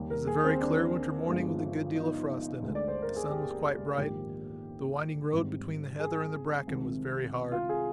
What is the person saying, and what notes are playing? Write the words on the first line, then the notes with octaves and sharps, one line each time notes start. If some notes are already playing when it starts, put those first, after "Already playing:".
It was a very clear winter morning, with a good deal of frost in it. The sun was quite bright, the winding road between the heather and the bracken was very hard.
Already playing: D#2 D#3 G3
A#4
G#4
C4
D4
G1 G2 F3 G#3
D#4
D2 D3 G#3
D5
C5
A#4
G#4
G4
A#1 G#2 D#3 G4
G#1 G#2 G3
G#4
C2 C3 D#3 G#3
F4
G#4